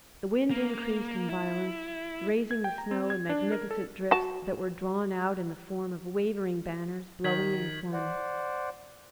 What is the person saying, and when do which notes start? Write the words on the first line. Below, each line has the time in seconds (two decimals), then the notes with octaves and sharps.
The wind increased in violence, raising the snow in magnificent drifts that were drawn out in the form of wavering banners blowing in the sun.
0.50 A#3
1.29 E4
2.51 G#6
2.64 G5
2.78 A#5
2.91 C4
3.10 G#6
3.29 D4
3.52 A#4
3.71 A4
4.11 F#4 A5
7.24 D#3 G#6 B6 F#7
7.93 C5 D5 F#5